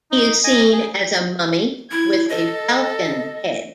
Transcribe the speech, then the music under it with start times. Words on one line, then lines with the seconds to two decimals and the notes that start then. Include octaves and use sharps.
He is seen as a mummy with a falcon head.
0.11 D#4
0.44 D#5 G#5
0.73 G#4
1.91 E4 G#6
2.29 A4 D#5